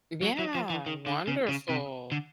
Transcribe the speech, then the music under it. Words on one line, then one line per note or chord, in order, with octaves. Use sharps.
Yeah, wonderful.
F#3
F#3
F3
E3
D#3
D3
C#3
C#3
C3
D3